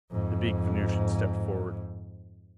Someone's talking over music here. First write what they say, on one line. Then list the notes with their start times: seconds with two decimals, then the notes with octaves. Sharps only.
The big Venusian stepped forward.
0.12 F2 G#2